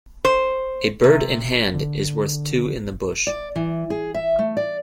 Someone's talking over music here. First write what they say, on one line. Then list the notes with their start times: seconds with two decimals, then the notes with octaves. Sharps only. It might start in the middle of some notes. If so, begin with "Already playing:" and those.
A bird in hand is worth two in the bush.
0.25 C5
1.04 C3
1.74 D3
3.27 D5
3.56 E3
3.90 G#4
4.14 E5
4.39 A3
4.57 D5